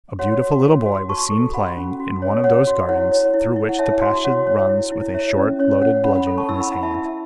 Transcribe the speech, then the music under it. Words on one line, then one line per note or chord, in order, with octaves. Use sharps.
A beautiful little boy was seen playing in one of those gardens through which the passage runs with a short loaded bludgeon in his hand.
F#4 C#5 F#5
F#4
F#4
F#4
F#4 A5 C#6
A4
F#4 F#5 B5
C#4
F#4
C#5
C#5 F#5
F#4
E4 C#5 F#5
C#5
E4
E4
F#5
C#5 E5 A5
F#4
F#4 C#5 F#5
C#5
E4
E4
C#5 E5
C#4
C#4 C#5
C#5 F#5
C#4 F#5 B5
F#5 B5
A4
A5 C#6
E4 B5 E6
F#5 B5
E4 F#5 B5
E5 A5
E4 E5